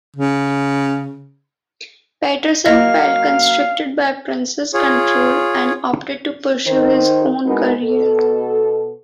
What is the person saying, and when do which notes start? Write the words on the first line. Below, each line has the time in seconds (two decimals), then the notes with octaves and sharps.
Peterson felt constricted by Prince's control and opted to pursue his own career.
0.16 C#3
2.66 F#3 A#3 D#5 F5
4.74 F4 G#4 C#5
6.66 D#3 D#4 C5
7.45 G#3 B3 D#4 E4 F#4 A#4
7.84 B2 A4